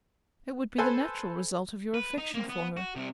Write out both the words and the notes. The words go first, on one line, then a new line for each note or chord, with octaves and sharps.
It would be the natural result of your affection for her.
A4 B4 C5 G#5
B4
D#4
A#3 C4
B3
F#4
C2 C3